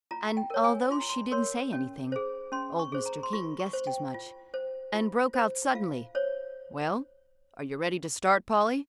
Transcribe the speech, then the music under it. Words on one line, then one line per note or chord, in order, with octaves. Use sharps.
And, although she didn't say anything, old Mr. King guessed as much, and broke out suddenly, "Well, are you ready to start, Polly?"
F4 A#5
G5
A#4 C#5
G#5
F4 C6
A#5
C6
A#4 C#5 C6
C#4
G#4 C5
C#4 C6
C#6
G#4 C5
A#5
C6
F4 C#6
C#6
C5
G5
F4
C5
F4
C5
F4 F5
C5 C#5